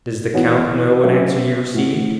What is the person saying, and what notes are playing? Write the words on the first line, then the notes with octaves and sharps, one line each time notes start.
"Does the count know what answer you received?"
E3 B3 F#4 C#5
F#3 C#4 F#4 B4 E5
A2 A3 F#4